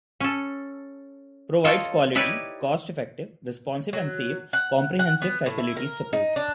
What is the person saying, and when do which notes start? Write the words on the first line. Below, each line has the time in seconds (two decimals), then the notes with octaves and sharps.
Provides quality, cost effective, responsive and safe, comprehensive facilities support.
0.20 C#4 A4
1.64 F4 A4 C#5 D#5
2.15 D#4 E4 G4 B4 C#5 D5
3.93 F#3
4.53 F#5
4.99 F#5
5.22 B3
5.46 A2
5.58 E4
5.77 A#4
6.13 D#4
6.36 D4